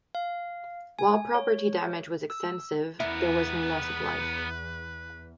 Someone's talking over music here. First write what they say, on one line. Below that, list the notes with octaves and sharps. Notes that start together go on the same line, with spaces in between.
While property damage was extensive, there was no loss of life.
F5
G#5
C#5
E6
E2 B3 E4 A#4 B4